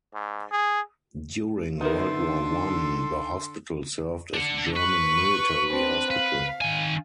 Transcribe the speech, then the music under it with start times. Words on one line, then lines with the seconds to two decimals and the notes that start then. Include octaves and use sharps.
During World War One, the Hospital served as German military hospital.
0.14 G#2
0.51 G#4
1.81 D3 B3 D4 D#4 A4 A#4 E5 C6
4.34 D4 F#5
4.76 B4 C#6
5.70 C4 D4
6.10 B4 F5
6.62 D#3 G#5